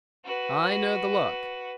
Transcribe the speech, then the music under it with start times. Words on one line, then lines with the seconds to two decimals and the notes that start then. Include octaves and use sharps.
"I know the look."
0.25 F#4 B4